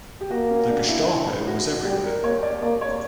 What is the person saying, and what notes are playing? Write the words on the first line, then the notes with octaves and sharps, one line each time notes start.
The Gestapo was everywhere.
G4
A#3 F#4
C#4
D4
E4
E4
F#4
G3 G4
A#4
A#3 C#5
D5
A#3 D5
C#5